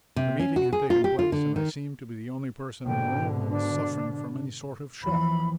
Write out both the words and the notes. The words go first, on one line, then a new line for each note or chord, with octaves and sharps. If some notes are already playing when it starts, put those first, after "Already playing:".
The meeting had taken place and I seemed to be the only person in the room who was suffering from any sort of shock.
C3
C#4
F#4
G#4
F4
G4
F4
D3
D#3
G#2 B2 D3 G5
D4
D#2 E3 F3 B5